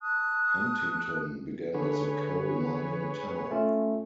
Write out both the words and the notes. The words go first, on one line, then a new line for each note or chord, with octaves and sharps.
Huntington began as a coal mining town.
A5 D#6 F#6
D3 G#4 B4 C#5
A3 C#4 F4